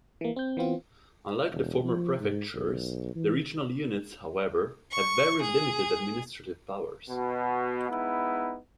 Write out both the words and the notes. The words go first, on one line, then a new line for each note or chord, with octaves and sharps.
Unlike the former prefectures, the regional units however have very limited administrative powers.
E3 A#3
C4 G6
E3 B3 C4 F4
E1
F3
G#2
B1
E3
C#6
G#4
B2
G#3 B3 D#4 E4